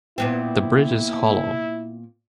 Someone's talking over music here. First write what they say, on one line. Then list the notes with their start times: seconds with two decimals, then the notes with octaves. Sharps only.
The bridge is hollow.
0.18 A#2 B3 C4 E4